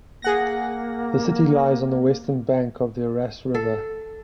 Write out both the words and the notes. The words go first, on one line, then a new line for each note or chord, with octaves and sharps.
The city lies on the western bank of the Aras River.
A#3 G#4 F#5 A#6
A4